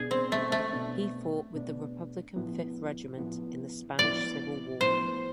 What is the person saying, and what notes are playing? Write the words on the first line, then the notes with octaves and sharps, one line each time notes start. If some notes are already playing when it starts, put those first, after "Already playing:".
He fought with the Republican Fifth Regiment in the Spanish Civil War.
Already playing: B2 B3 D4 G#4
C4
A3
A3
B2 B3 D4
B2 B3 D4
A2 F3 B3 E4
A2 F3 B3 E4
A2 F3 B3 E4 D5
A2 F3 B3 E4 C5